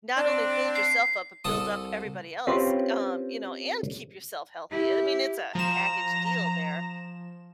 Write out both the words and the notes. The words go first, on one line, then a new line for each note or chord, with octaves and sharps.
not only build yourself up, but build up everybody else, um, you know, and keep yourself healthy, I mean, it's a package deal there,
C4 D4
C7
C2 A4 A5 D#6
C4 C#4 F4 G4 B4
E4 G4
F3 A#5 E7